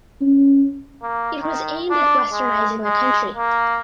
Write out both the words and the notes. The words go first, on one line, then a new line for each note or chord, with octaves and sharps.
It was aimed at westernizing the country.
C#4
A#3
D#3
D4
G#3
G#3
A#3